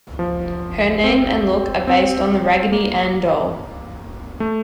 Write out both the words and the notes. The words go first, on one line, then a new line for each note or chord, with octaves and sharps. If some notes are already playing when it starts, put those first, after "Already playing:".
Her name and look are based on the Raggedy Ann doll.
F3
C4
C4
A#3
A3